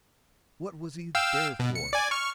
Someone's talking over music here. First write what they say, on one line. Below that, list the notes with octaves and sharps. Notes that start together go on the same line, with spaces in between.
What was he there for?
F5 G5 E6
B2
C#7
D5 G#5
C#6 F6